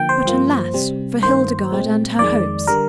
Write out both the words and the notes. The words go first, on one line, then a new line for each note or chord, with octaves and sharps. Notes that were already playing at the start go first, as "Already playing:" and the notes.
But alas, for Hildegarde and her hopes!
Already playing: D3 F3 A#3 G5
C5
G2 F3 A#3
C3 G3 C4
G2 D#3 A#3 C5
A#2 G#3 C4
F2 D#3 G#3 D5
D3 G3 A#4